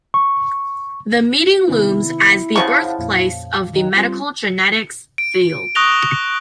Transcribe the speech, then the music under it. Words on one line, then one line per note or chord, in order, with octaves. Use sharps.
The meeting looms as the birthplace of the medical genetics field.
C#6
C3 D#3 B3 E4
C#3 F3 C5 F#5 A5 C#6
F2 A#2
D#3
G3 C4 F4
D7
C#6 D#6 F#6 A#6 F7 G7